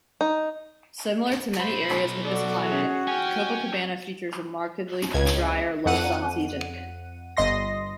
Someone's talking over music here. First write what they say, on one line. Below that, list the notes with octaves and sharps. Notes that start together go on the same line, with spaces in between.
Similar to many areas with this climate, Copacabana features a markedly drier "low-sun" season.
D#4
B1 C5 B5
F#4 A4 D5
C#4 G#4
C#4 G5 G#5
C#2 G#6
F2 F#5 D#7
G1 D#5 C6 A#6